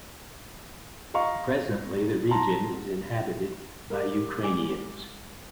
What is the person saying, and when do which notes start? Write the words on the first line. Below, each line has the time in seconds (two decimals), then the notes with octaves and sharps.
Presently, the region is inhabited by Ukrainians.
1.14 D#5 F5 A#5 C#6
2.31 A5 A#5 C6
3.90 G4 G#4 A#4 D5 F5
4.43 G3 G#3 G#5 D6